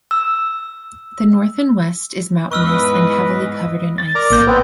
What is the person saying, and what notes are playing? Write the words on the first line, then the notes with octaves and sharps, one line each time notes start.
The north and west is mountainous and heavily covered in ice.
E6
E2 G#2 B4 D#5 C#6 E6 F6
A6
A#4 D5 A#5
A1 A#3 G6
B3 C4 B4 F#5